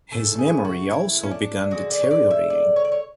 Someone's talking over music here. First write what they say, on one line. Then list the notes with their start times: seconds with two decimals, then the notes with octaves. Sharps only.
His memory also began deteriorating.
0.11 C#3 E3 A3 A4
0.39 G#4
0.65 F#4
0.91 E4
1.23 C#4
1.31 D4
1.71 D3 G#3 F#4
1.90 D5
2.04 C#5
2.11 D5
2.31 E5
2.50 D5
2.76 C#5
2.85 D5
2.92 C#5